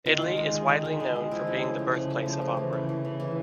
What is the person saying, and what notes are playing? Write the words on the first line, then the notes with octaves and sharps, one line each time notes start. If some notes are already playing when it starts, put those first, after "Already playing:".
Italy is widely known for being the birthplace of opera.
D#3 F4
G#3
G#3
D#3
G#3
D#3
G#3
D#3
F3 E4
C#3
A3
F3
C#3
A3
F3
A3
E3
C#3
E3
C#3
E3